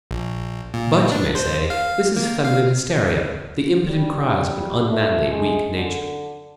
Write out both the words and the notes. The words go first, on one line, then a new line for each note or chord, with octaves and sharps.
But, you may say, this is feminine hysteria, the impotent cries of an unmanly, weak nature.
A#1
A#2
D4
C5
F5
A#3
F5
G3
A3
G#3
D3